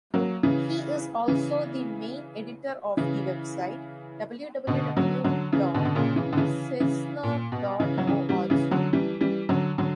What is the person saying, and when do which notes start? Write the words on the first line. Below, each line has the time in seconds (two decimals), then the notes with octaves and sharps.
He is also the main editor of the website www dot cesnur dot org.
0.14 F#3 A#3
0.43 C#3 E3
1.28 C#3 E3
2.97 C#3 E3
4.67 B2 D3
4.97 D3 F#3
5.24 D3 F#3
5.52 C#3 E3
5.74 B2 D3
5.85 D3
5.95 A#2 C#3
6.16 C#3 E3
6.33 D3
6.37 C#3 E3
6.80 C#3 E3
7.23 A#2
7.52 B2
7.80 C#3 E3
7.98 F#3
8.07 C#3 E3
8.29 E3 G3
8.50 C#3 E3
8.71 D3 F#3
8.93 E3 G3
9.21 E3 G3
9.49 D3 F#3
9.78 D3 F#3